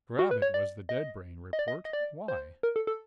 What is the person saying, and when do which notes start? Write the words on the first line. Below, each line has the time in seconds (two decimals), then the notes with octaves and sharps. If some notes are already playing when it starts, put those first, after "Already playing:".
"Grab it, was the dead-brain report. Why?"
0.19 F#4
0.31 B4
0.42 C#5
0.54 D5
0.89 D#5
1.53 D#5
1.59 D5
1.68 D#5
1.85 D#5
1.93 D5
2.28 C5
2.63 A#4
2.76 A4
2.87 A4